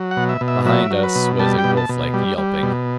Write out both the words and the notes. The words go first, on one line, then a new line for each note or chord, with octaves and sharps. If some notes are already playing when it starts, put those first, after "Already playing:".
Behind us was a wolflike yelping.
Already playing: F#3
F#5
B2
E5
B2
E5
F#3 E5
F#3
B4
B2
G3 A5
G5
B2
A5
B2
G3
G3
B2